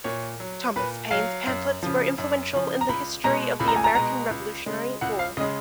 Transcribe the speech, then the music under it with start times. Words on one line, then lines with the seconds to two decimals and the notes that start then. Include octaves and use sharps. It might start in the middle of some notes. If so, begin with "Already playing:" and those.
Thomas Paine's pamphlets were influential in the history of the American Revolutionary War.
0.04 A#2 C#5
0.40 F#3
0.76 A#2 B4
1.11 F#3 F5
1.47 F#2
1.83 C#3 F3
2.18 F#2
2.53 C#3 F3
2.81 A#5
2.89 C#2 B5
3.24 B2 G#3 A#5
3.60 C#2 B5
3.68 A#5
3.76 G#5
3.84 A#5
3.95 B2 G#3 A#5
4.31 C#2
4.66 C#3 G#3
5.01 C#2 F#5
5.19 F5
5.37 C#3 G#3 D#5